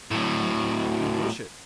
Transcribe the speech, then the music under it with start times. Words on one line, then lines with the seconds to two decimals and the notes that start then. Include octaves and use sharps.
You wish it.
0.11 A2 F#3